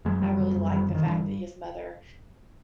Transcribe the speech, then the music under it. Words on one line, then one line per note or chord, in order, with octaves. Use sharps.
I really liked the fact that his mother
F#2 F#3 G#3
F#2 F3 G3
D3
F#2
D3 F3 G3
D3
D#3
G2 D3 E3